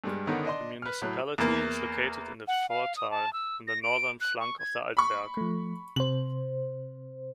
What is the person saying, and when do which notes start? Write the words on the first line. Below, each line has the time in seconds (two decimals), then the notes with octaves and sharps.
The municipality is located in the "Furttal" on the northern flank of the Altberg.
0.04 G2 G3 G#3
0.27 D3 D#3 B3 C#4 D#4
0.45 D4 D#5 C6
0.82 B4 F6
1.02 A2 F#3 B5 F#6
1.38 E2 A#3
2.48 F#5
2.69 F5
2.96 D#6
3.11 A5
3.33 E6
3.67 A#6
3.83 D7
4.21 F#6
4.40 C#6
4.59 G#6
4.97 B5 C#6
5.37 F3 A3
5.96 C3 C5 F#7